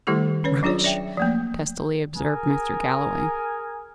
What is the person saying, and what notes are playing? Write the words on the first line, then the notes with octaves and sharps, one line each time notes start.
"Rubbish!" testily observed Mr. Galloway.
D#3 G3 A3 E4 G4 A4
C#4 B4 C#5
F#3 D4 F4 G#4 C#5 D5
D5 E5 G5
F3 A3 A#3
G#4 A#4 G#5